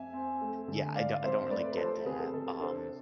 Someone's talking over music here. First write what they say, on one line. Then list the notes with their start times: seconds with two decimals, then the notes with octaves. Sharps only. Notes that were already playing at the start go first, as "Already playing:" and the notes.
Yeah, I don't I don't really get that, um
Already playing: F2 E5 G#5
0.13 C4
0.41 A3
0.68 D3
0.95 G#2 D5 F5
1.23 C4 C5 E5
1.51 A3 B4 D5
1.73 B4
1.77 F3 A4 C5
2.05 C3 G#4 B4
2.19 A4
2.33 C3 A4
2.47 A4
2.60 D4 A4 C5